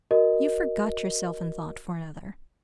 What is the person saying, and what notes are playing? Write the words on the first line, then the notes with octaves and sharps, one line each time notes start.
You forgot yourself in thought for another.
F#4 A#4 D#5